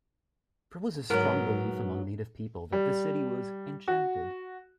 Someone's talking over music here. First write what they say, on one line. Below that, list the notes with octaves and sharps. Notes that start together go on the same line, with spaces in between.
There was strong belief among native peoples that this city was "enchanted".
G#2 F#3 B3 A#4
G3
F#4